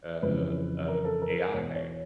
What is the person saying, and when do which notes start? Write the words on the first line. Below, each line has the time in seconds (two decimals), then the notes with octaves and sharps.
uh, of AI.
0.22 F2 C#3 E3 B4
0.88 A#4
1.04 A4
1.22 A#4
1.38 A#4
1.54 E2 B2 C#5
1.76 C#5